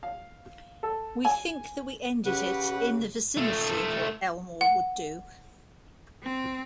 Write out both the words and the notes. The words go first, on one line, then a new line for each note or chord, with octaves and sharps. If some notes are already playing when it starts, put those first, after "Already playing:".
We think that we ended it in the vicinity of what Elmore would do.
F5
A4
G#5
C#3 G4 B4 F#5
A3 F4
F#5
C4